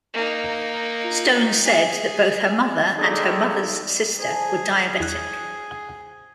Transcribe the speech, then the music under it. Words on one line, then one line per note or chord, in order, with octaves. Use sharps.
Stone said that both her mother and her mother's sister were diabetic.
A#3 D#4
G#4
D#2 D#4 G#4 A4 D5
G#4 C5 G#5 A5
E2 F#6